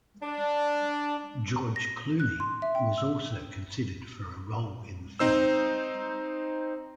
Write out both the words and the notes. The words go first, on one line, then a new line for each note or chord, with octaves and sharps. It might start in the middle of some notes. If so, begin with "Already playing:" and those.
George Clooney was also considered for a role in the film.
D4
A#6
F#6
C6
E5
G5
E6
C4 D#4 C5 E6